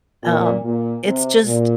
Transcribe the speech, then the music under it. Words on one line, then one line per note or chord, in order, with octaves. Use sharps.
um, it's just
A#2
A#2
C3
A#2